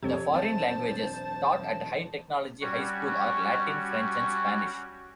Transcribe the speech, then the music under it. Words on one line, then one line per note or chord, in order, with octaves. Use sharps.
The foreign languages taught at High Technology High School are Latin, French and Spanish.
F2 C3 C#5
E1 F#2 C4 C5 A5
G3 C#4 F#4